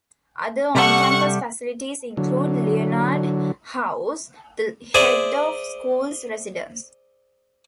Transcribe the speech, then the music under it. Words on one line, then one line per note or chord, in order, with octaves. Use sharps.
Other on-campus facilities include Leonard House, the Head of School's residence.
C3 G3 A4 F#5 C#6
D3 F#3
G#4 C5 D5 E5 G#5